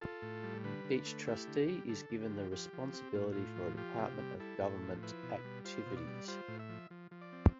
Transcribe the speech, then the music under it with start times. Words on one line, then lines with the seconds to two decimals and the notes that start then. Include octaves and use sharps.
Each trustee is given the responsibility for a department of government activities.
0.01 F4 A4
0.22 A2
0.44 G3
0.64 D3 B4
0.85 D3
1.06 A3
1.27 E4 G4
1.47 D3
1.68 G3
1.89 D3 A4
2.10 D3
2.21 G4
2.31 F3
2.51 F3 G4
2.73 F3
2.93 C4
3.15 A2 F4
3.32 A2 F4
3.56 F3
3.77 F4 G4
3.98 C3
4.19 G3
4.40 E4 A4
4.61 A2
4.82 F3
5.03 E4 B4
5.23 B2
5.44 G3
5.65 F4 C5
5.86 B2
5.97 D5
6.07 G3
6.28 F4 C5
6.48 A2
6.59 E5
6.69 F3
6.91 F3
7.11 F3
7.21 D5
7.32 C4